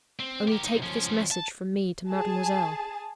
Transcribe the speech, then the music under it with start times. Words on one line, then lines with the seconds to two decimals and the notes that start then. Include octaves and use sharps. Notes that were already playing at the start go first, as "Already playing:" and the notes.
Only take this message from me to mademoiselle.
0.20 C4
0.48 G4 A#4
0.65 F#3 D#4
0.82 F3 C#4
1.31 A5
2.09 G#4 A5